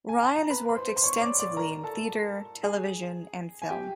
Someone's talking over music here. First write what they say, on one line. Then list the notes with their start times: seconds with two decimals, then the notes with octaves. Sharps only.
Ryan has worked extensively in theatre, television and film.
0.09 G#5
0.23 A5
0.36 A#5
0.50 B4 B5
0.69 B5
0.76 C5 C6
0.96 C6
1.03 C#5 C#6
1.21 D5 D6
1.39 D5 D6
1.57 A#4 A#5
1.84 A4 A5
2.63 G#4 G#5
3.62 G#5
3.70 G4 G5